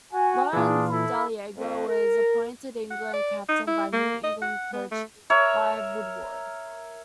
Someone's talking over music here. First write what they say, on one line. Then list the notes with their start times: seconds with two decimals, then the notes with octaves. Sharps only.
Lawrence Dallaglio was appointed England captain by new England coach Clive Woodward.
0.13 F#4 G#5
0.53 A#2 E3 D4 F4 G#4
0.91 E4 A4 B5
1.56 F2
1.87 A#4
2.91 F#5
3.14 D5
3.49 D#4
3.67 E4
3.93 A#3
4.24 D#5
4.42 F#5
4.73 B3
4.92 A3
5.30 A#4 C#5 E5